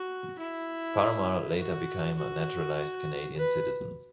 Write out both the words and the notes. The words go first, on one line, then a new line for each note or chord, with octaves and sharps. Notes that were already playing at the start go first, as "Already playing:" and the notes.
Parmar later became a naturalized Canadian citizen.
Already playing: F#4
E4
F#4
F#4
B4